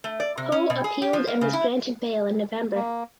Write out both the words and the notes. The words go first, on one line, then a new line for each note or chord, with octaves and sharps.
Ho appealed and was granted bail in November.
A3
D5
C3
C#4
B2
G#4
G4
F3
A#3
C#3
E4
A#3